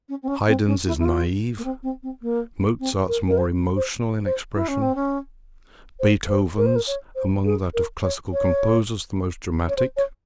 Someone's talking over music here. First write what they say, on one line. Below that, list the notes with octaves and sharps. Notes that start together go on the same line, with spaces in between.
Haydn's is naive; Mozart's more emotional in expression; Beethoven's, among that of classical composers, the most dramatic.
C#4
C4
C#4
C4
C#4
E4
E4
F4
A#3
C4
C4
C4
A#3
C4
A#4
A#4
C5
C5
C5
E4
C#4
C4
C#4
C5
C5
A#4
C5
A#4
C#5
C5
G#4
A#4
C#5
C#5
C#5
C5
C#5